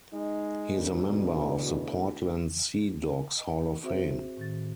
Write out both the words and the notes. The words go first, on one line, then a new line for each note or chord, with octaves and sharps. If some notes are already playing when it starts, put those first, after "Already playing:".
He is a member of the Portland Sea Dogs Hall of Fame.
G#3 D#4
D2
E2 B2
D#5
C4 F#4 G#4 C5 E5
A2 D#3 A6